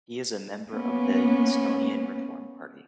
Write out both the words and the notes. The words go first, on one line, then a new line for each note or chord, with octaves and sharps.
He is a member of the Estonian Reform Party.
A#3 B3 C#4